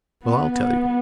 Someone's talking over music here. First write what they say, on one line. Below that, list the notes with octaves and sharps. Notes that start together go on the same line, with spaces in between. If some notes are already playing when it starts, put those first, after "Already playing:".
Well, I'll tell you.
B3
B3